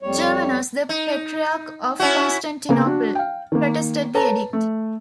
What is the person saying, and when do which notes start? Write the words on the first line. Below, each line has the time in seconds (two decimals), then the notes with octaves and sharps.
Germanos, the patriarch of Constantinople, protested the edict.
0.02 F2 G3 C#5
0.89 D#4
2.00 C#4 E4 F#4
2.69 C#3 A#3 B3
2.85 D4 F#4
3.15 F5 G5
3.52 D#3 A#3
4.14 A4 B4 C#5 A5 A#5
4.53 A3